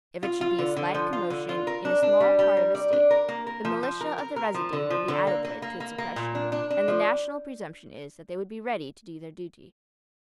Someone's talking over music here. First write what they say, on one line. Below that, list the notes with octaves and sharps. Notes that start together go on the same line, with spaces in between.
If it should be a slight commotion in a small part of a State, the militia of the residue would be adequate to its suppression; and the national presumption is that they would be ready to do their duty.
F4
F4
D3
D3
F3
F4
D3
F4
A#4
D4
D4
G3
G3
A#4
D5
D4
A#4
A#3
A#4
F3
F3
A#4
A#4
A#4
F3
D3
F3
D3
A#3
A#3
A#3
A#3
A#3
A#2
D4
D4
D4
F3